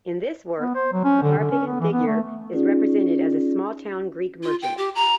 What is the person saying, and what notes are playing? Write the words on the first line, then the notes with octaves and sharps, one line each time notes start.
In this work, the Harpagon figure is represented as a small town Greek merchant.
B3
C5
F#3
C#4
D3
D3
C#4
B3
E3
B3
A3
C#4 D#4 F4 G#4 D5
F4
G5
G4
A#5